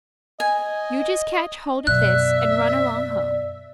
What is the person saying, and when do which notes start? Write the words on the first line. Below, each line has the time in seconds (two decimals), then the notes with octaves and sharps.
You just catch hold of this and run along home.
0.40 D#5 G#5
1.87 F#2 B2 D5 E5 F#6